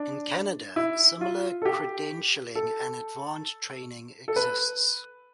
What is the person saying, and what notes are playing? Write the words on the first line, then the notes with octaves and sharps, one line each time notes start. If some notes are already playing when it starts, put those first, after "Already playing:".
In Canada, similar credentialing and advanced training exists.
Already playing: D4
E4
F4
A4
G4
A4
A4
B4